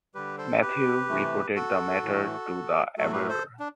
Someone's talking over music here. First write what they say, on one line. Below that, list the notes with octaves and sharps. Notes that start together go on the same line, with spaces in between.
Mathieu reported the matter to the Abwehr.
D3 G3 G4 B4
A4 C5
G4 B4
C3 E3 A3
F#4 A4
A2 E3 A3
A2 F#3 A3 F#4 A4
G4 B4
A4 C5
D4